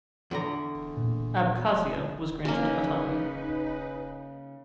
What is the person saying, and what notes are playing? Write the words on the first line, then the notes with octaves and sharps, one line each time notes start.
Abkhazia was granted autonomy.
E2 D3 A#5
A#2
C#3 A#3 D#4 B4